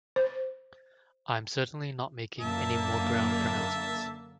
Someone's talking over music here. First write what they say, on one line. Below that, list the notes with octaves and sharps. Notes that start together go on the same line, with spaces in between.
I'm certainly not making any more grand pronouncements.
C5
F#2 D3 A#3 E5 A5